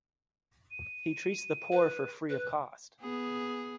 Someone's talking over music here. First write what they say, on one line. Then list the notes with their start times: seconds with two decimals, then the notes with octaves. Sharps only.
He treats the poor for free of cost.
0.71 D#7
1.72 B4
2.29 B4 F#6
3.01 B3 G#4